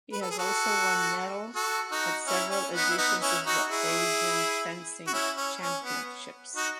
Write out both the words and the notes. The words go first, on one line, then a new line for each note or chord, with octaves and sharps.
He has also won medals at several editions of the Asian Fencing Championships.
B4
A4
G#4
F#4 A4
F#4 A4
D#4 F#4
C#4 E4
C#4
B3 D#4
E4
B3 D#4
C#4 E4
D#4 F#4
E4 G#4
F#4
C#4 E4
C#4
C#4
B3
D#4 F#4